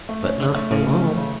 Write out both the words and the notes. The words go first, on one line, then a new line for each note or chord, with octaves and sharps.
But not for long.
A3
C#4
D3 C#4
D3 A3
C#3 A3
A3
A3
C#3